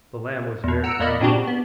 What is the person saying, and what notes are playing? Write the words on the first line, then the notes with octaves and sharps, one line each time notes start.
The lamb was very angry.
E2 B2
F#5 A#5 E6 C#7 D7
E2 A#3 A#4 D5 D#5 B5
A#2 C#3 C4 D4 F#4 G4
B3